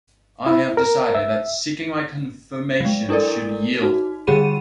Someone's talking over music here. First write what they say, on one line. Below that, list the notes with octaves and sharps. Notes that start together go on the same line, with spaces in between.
I have decided that seeking my confirmation should yield.
E4
A#4
E5
F#3 G#3
D4 E4 A4 A#4 D5
D#4 F#4
D3 G3 G4 G#4 B5 D#7